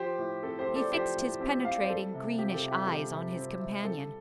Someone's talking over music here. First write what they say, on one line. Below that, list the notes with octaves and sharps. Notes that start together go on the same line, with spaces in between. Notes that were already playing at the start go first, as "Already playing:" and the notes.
He fixed his penetrating greenish eyes on his companion.
Already playing: F3 G4 C5
A2
C4 A4
G4 C5
A2
A4 D5
F3 G4 C5
A2
C4 G4
A2 F5
D5
C5
G3 A4
C3
C4 G4
A4
C3
G4
G3 A4
C3
C4
C3
G3 A4